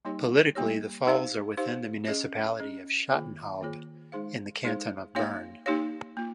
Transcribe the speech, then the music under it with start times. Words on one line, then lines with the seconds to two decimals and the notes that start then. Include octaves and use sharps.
Politically, the falls are within the municipality of Schattenhalb in the canton of Bern.
0.05 G3 A#3 D#4 G4 C#5
0.55 G3 A#3 D#4 G4 C#5
1.06 D#4 G4 C5 F5
1.57 D#4 G4 C5 F5
2.08 C#4 G#4 D#5
2.60 C#4 G#4 D#5
3.10 D#3 A#3 F4 G#4 C#5
3.61 D#3 A#3 F4 G#4 C#5
4.12 G#3 D#4 G#4 C5 F5
4.64 G#3 D#4 G#4 C5 F5
5.15 A#3 D#4 G4 C#5 F5
5.66 A#3 D#4 G4 C#5 F5
6.17 A#3 F4